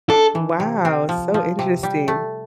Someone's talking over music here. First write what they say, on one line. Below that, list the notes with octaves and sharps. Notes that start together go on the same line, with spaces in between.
Wow, so interesting.
D4 A4
E3
C3
C4
F3
F3
C3
G3
A3